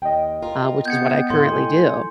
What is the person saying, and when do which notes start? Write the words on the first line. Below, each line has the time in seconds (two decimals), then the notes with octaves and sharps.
uh, which is what I currently do.
0.02 D#2 D#5 G5
0.42 F4 A#4
0.85 B3 G6 G#6 C#7
1.30 A2 C6
1.52 G#5